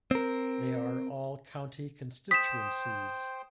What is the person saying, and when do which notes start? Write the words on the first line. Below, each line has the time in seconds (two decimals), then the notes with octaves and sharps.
They are all County constituencies.
0.11 C4 A#4
2.31 C5 G5 D#6 B6 E7